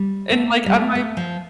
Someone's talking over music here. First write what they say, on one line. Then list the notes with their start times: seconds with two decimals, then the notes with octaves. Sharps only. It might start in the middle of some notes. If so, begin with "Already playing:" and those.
and, like, on my
Already playing: G3
0.31 A3
0.66 G3
0.74 A3
0.95 A3
1.17 F3